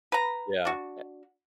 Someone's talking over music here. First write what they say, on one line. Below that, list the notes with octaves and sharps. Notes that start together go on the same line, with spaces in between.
Yeah, eh
B4 A#5
D4 F#4